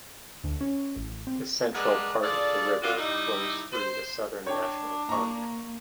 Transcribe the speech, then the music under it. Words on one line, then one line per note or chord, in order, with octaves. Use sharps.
The central part of the river flows through the Southern National Park.
D2
C#4
A1
C4
G3 G#3 D4 A#4 B4 F#5
D4 F4 G#4 A4 D5
G3 F4 F#4
G3 D#4 E4
C5
D4 C#5 G5
A#3 A#5 C#6